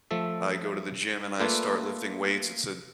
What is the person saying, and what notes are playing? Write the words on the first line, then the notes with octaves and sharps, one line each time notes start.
I go to the gym and I start lifting weights, it's a
F3 A3 A4 E5
A3 A#3 F4 A4 B4 D5